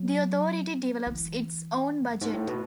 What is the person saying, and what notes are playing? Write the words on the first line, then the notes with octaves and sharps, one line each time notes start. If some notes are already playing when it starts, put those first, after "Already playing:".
The Authority develops its own budget.
Already playing: F#3
E3
F#2
G#2
A2
B2